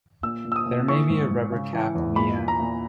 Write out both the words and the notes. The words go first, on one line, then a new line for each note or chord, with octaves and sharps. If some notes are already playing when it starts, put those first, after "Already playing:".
There may be a rubber cap on the end.
A#2 E6
A#2
E6
D#6
A#2
E3 C#6
G#2
G#2
C#3
E3
E2
A#2 B5
A#2
A#5
A#2